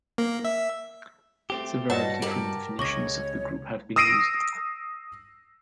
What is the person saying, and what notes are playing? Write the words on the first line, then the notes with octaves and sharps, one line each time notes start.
Several different definitions of the group have been used.
A#3
E5
A3 C4 G4
G2 F#4 B4 C#5 D#5 F#5 A5
G4 A#4 A5 F#7
C#2 C#3 C#5 C#6 D6 A#6
D#6 E6 A#6 C7 D7 D#7